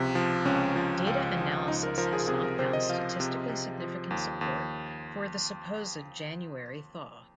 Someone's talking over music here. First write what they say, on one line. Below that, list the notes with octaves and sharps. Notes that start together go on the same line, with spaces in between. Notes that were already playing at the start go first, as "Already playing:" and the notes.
Data analysis has not found statistically significant support for the supposed January thaw.
Already playing: C#2 C3 F3
F3
C#2 C#4
F3
C#2
F3
C#2 D#4
A#4
F3 A#4
G#4
C3 G#4
A#4
C3 C5
D#5
F3 F5
C3
C3
F3
D#2
D#2